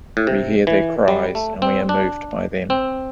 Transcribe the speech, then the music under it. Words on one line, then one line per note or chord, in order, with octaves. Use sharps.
We hear their cries and are moved by them.
A2
C3
E3
G3
A3
C4
D4
C4